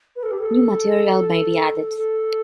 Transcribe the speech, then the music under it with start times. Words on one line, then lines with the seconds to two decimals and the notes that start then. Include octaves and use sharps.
New material may be added.
0.16 B4
0.23 A4
0.31 G4
0.38 A4
1.97 A4